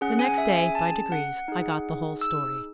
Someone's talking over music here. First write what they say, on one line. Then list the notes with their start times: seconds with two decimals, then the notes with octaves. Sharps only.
The next day, by degrees, I got the whole story.
0.01 C#4 G#4 F#5
0.19 G#5
0.38 E5
0.57 G#5
0.75 A5
1.12 F#5
1.48 D#4 G#4
2.21 E6